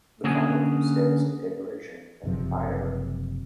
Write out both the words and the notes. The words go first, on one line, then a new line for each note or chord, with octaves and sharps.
The final two steps are decoration and firing.
D3 A#3 C#4 F#4 G#4
F#1 C3 F3